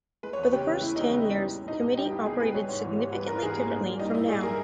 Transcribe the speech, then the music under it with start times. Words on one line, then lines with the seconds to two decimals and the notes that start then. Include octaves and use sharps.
For the first ten years the committee operated significantly differently from now.
0.23 G#3 B4
0.33 C#5
0.37 E2
0.43 B4
0.53 C#3 G4
0.66 E2
0.81 G#3 E4
0.96 E2 D#4
1.10 C#3
1.24 E2
1.39 G3
1.53 C#2
1.68 B2 D#4
1.83 C#2
1.98 G3 G4
2.12 C#2
2.26 B2 G#4
2.40 C#2 B4
2.54 G3 C#5
2.69 G#2 C#5
2.84 E3
2.99 G#2
3.12 G3 B4
3.27 G#2 A#4
3.42 E3 G#4
3.56 G#2 A#3
3.71 A#2
3.85 G3
3.99 G3 D#4
4.14 A#2 E4
4.28 A#2 G#4
4.43 G3 A#4